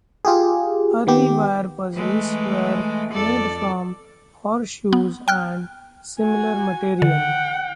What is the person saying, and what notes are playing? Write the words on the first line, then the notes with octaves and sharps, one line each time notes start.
Early wire puzzles were made from horseshoes and similar material.
F4 G4 G#4
D#3 B3 G4
E3 G#3 A3
F2 A4 D5
B3
G5 F6 F#6
F#4 G#5
D3 F#5 G5